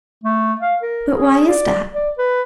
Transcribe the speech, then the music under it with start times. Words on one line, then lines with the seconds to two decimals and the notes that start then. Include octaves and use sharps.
But why is that?
0.24 A3
0.61 F5
0.82 A#4
1.14 G#4
1.48 D5
1.94 D5
2.18 B4